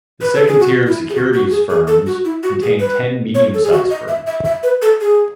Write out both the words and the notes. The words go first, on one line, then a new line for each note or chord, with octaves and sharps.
The second tier of securities firms contained ten medium-sized firms.
B4
A4
G#4
F#4
E4
G#4
F#4
F#4
G#4
G#4
A4
F#4
E4
F#4
G#4
B4
C#5
A4
G#4
F#4
D#5
E5
E5
E5
B4
A4
G#4